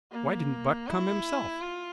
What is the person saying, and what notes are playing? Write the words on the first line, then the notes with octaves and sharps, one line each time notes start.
"Why didn't Buck come himself?"
A#3
E4
F4